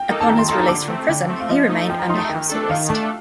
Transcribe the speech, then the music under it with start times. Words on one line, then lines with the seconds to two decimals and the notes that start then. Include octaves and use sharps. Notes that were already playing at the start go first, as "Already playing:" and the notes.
Upon his release from prison, he remained under house arrest.
Already playing: G5
0.09 A#3 D#4 A4
0.21 A5
0.28 D#3 A#5
0.38 C6
0.49 A#3 D#4 A4 C6
0.58 A#5
0.68 D3 D6
0.88 A3 C4
1.09 D3 G5
1.29 A3 C4
1.40 F5
1.49 F3 D#5
1.69 A3 D#4
1.90 F3 G5
1.99 A#5
2.09 D#4 C6
2.14 A3
2.19 A5
2.29 D#3 G5
2.50 A3 D4 A4
2.70 D#3 F5
2.89 A3 D4 A4